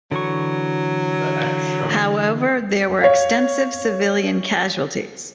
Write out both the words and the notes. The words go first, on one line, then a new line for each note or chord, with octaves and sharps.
However, there were extensive civilian casualties.
D3 E3 F#3 C#6
C#5 F5